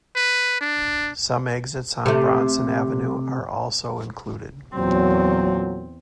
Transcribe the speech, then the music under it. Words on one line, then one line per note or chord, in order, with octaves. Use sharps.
Some exits on Bronson Avenue are also included.
B4
D4
C3 A3
E2 A#2 F#3 C4